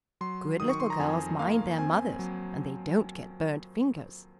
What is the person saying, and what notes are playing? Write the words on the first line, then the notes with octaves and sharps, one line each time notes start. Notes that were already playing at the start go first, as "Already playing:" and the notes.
"Good little girls mind their mothers and they don't get burnt fingers."
F#3 C6
D#3 D#6
C#6
C6
A#5
F2 G#5
A#3 F5
C4 G#5
F#3